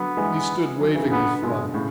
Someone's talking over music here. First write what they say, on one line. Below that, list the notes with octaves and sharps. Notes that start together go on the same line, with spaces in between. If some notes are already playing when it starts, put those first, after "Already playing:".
He stood waving his flag.
Already playing: D3 F#3 B3
E3 G#3
D3 F#3
C#3 E3
C#3
B2 D3 B3
B2 D3 G#3
A2 C#3